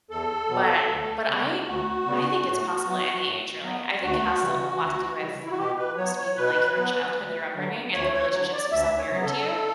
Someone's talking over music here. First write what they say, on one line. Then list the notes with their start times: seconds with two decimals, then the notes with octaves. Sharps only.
but but I I think it's possible at any age, really, I think it has to a lot to do with, almost, maybe, like, your own childhood, and your upbringing, and the relationships that you saw mirrored to you
0.10 E2 A4
0.49 B2 F#3 B3
0.88 D2
1.28 C#3 G3 B3
1.67 D2 F#4
2.06 C#3 G3 B3
2.46 A2
2.84 F#3 B3
3.23 A2
3.63 F#3 B3
4.02 D2 F#4
4.41 C#3 E3 G3
4.80 D2
5.20 C#3 E3 G3
5.44 E4
5.51 F#4
5.58 B2 G4
5.78 B4
5.97 F#3 B3 C#5
6.17 C#5
6.37 B2 B4
6.76 F#3 B3
7.15 D2
7.55 D3 F#3
7.94 D2 C#5
8.13 C#5
8.32 D3 F#3 C#5
8.53 D5
8.71 D2 E5
8.98 C#5
9.10 C#3 F#3 B3
9.24 A4